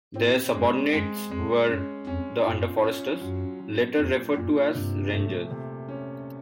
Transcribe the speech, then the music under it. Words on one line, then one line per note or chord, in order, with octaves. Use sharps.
Their subordinates were the under-foresters, later referred to as rangers.
A2 C4
F#2 G#3
F#2 G#3
F2 G#3
F#2 C#4
F2 C#4
F#2 F4
C#4
F#2 F#3
F#3
F2 A#2
F#2 A#2
G2 C3
A3
C3
C#4